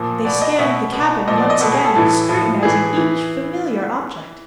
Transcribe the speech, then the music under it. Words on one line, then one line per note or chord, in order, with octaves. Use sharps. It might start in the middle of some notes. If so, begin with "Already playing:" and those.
They scanned the cabin once again, scrutinizing each familiar object.
Already playing: A#2 F3
B2 D5
D#5
B2 E5
B2
A#2 F3 D#5
D5
D#5
B2 A4
G#4
A4
A2 E3 A4
A2 F3
A2 E3 G#4
E3